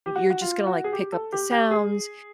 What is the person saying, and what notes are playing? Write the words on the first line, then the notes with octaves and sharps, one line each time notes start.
you're just gonna, like, pick up the sounds,
G4
F#4
F#4
F4
F#4
G#4
G4
A4
G4
G4
G#4